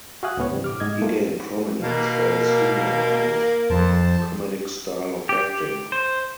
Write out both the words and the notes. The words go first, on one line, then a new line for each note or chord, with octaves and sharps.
He gained prominence for his humor and comedic style of acting.
F#4 E5 F5 G#5 D#6 F#6
C#2 A2 B3 C#5
G2 C3 E3 G3
A2 D6 F6
G#2 D#5 G#6
A2 G3 A3 A#3 F4 G4
B2 A#3 F5
F2 C5 A5
G4
C5